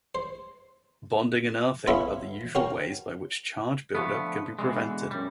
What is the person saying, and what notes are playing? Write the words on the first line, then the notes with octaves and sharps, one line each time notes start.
Bonding and earthing are the usual ways by which charge buildup can be prevented.
C5
B3 C#4 E4 F4 A4 E5
C#4 F#4 A#4 G5 A5 A#5
D3 F3 A3 B3
B2 D3 E3 G#3
F#2 G3